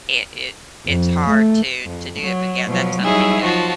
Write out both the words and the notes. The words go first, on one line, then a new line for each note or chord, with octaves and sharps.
it it it's hard to to do it. But, yeah, that's something that
F2
A3
F2
F#3
B2 F3 F#3
F#3 G3 D#4 E4 G#4 E5
F3 F#3 F4 F#4 A5